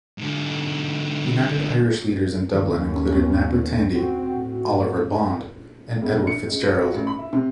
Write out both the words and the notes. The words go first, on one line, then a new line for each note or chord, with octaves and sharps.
United Irish leaders in Dublin included Napper Tandy, Oliver Bond and Edward Fitzgerald.
G#2 D3
D#2 D#3 C#4
B3
C4 F#4
A2
E1
A#1
C#7
C#2
B4
F#4
A1
B5
E5
C3